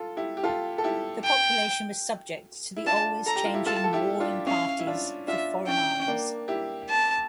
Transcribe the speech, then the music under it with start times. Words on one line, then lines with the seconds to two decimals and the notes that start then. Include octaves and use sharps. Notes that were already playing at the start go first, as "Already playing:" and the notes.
The population was subject to the always changing warring parties for foreign armies.
Already playing: F4 A4
0.17 E4 G4
0.37 G4
0.44 F4 A4
0.78 A4
0.84 E4 G4
1.25 G5
2.76 E4
2.86 D4 F4 A5
3.26 A4 A#5
3.36 G4
3.45 F4
3.54 E4 G4
3.66 F4 A4 A5
3.84 A4
3.93 E4 G4
4.20 D4 F4
4.47 C#4 E4 F5
4.79 E4
4.87 D4 F4
5.27 D4 F4 E5
5.68 C#4 E4 G5
5.99 C#4
6.08 A#3 D4
6.48 E4 G4
6.89 A5